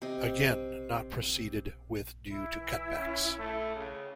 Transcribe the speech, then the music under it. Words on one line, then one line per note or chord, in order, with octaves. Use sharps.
Again not proceeded with due to cutbacks.
C3 D#5
E4
E3
C#4
A3
C#3